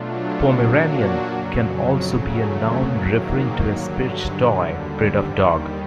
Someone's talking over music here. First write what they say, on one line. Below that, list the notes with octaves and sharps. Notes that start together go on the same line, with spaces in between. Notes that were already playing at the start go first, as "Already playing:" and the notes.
"Pomeranian" can also be a noun referring to a Spitz toy breed of dog.
Already playing: B2 F#3 A3 D4 F4
A#2 F#3 A#3 D4 F#4
F2 C#3 F#3
E2 C#3 F#3 A3
G#2 D#3 F#3 A#3
G2 D3 F#3
D#2 D3 G3
D#2 D#3 G3